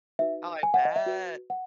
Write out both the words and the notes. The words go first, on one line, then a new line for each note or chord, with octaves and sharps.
I bet!
D#4 F#4 B4 E5
G#5
F#5
D#5
E5
F#4 B4
F#5